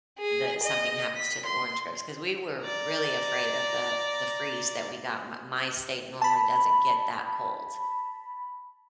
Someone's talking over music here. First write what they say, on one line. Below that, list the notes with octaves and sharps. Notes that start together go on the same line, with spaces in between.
that something happens to the orange groves. 'Cause we were really afraid of the the freeze that we got. M my state normally doesn't get that cold.
G#4
D#5
B6
C6
D5 A#5
A5 B5